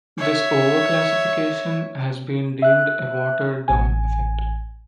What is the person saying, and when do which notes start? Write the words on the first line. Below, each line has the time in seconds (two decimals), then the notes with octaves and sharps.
This over-classification has been deemed a "watered down effect".
0.18 C#5 E5
2.62 E5 F#6
3.68 A1 G#5